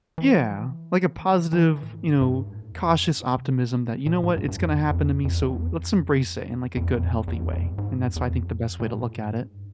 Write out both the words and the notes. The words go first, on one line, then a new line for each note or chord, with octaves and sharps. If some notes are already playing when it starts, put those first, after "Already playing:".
Yeah. Like a positive, you know, cautious optimism that, "You know what? It's gonna happen to me, so let's embrace it in, like, a good healthy way," and that's why I think the best way to look at it.
E3
F3
E3
D#3
C#3
E3
D#3
A2
G#2
G2
G2
G#2
A2
E2
F2
F#2
C3
C#3
B2
C3
A#2
A2
G2
G2
E2
F2
E2
F2
E2
F2
F2
E2
F2
E2
F2
F2
F2
E2
E2
F2
F2
G2
G#2
G2
E2
E2
F2
A#2
A2
G2
G#2
G2